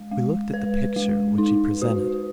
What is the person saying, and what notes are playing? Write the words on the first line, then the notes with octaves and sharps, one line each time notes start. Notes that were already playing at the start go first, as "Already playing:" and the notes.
We looked at the picture which he presented.
Already playing: G#3
G#3
B4
G#3
D#4
F#4